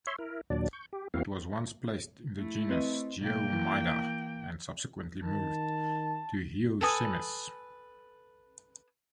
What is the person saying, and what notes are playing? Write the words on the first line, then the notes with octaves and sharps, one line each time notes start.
It was once placed in the genus "Geoemyda" and subsequently moved to "Heosemys".
C#5 E5 C6
E4 A#4
D#2 A#2 F#3 D4 D5
C#6 G6
G4
E2 A#3 C4 E4 F#4 F5
A3 E4
C4 B4 D#5
B1 A#3 G5
E3
D#3 A5
A4 B4 G#5 D#6